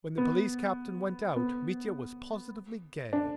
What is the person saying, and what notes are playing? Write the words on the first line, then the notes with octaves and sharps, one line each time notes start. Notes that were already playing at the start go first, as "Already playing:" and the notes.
When the police captain went out, Mitya was positively gay.
B3
B3
D4